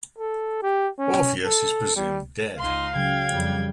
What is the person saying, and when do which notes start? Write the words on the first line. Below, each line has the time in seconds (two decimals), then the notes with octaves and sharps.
Orpheus is presumed dead.
0.18 A4
0.63 G4
0.99 C#4
1.45 A4
1.96 G3
2.59 C#2 D#4 F5 C6
2.96 C#3 F#3 G5 G#6
3.30 F2 G3